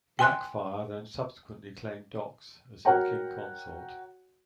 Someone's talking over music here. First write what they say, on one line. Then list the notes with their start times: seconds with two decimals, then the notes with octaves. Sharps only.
Blackfire then subsequently claimed Dox as her king consort.
0.19 G5 G#5 C6 F#6
2.85 F#4 A#4 C#5 F#5 G5 A#5